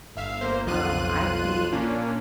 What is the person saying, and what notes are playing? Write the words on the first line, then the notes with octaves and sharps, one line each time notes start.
Um, I think I
G1 E5 F5
G1 A#3 C5
B1 F2 F3 F4 F#6 D#7
A#2 A#3 C#4 D4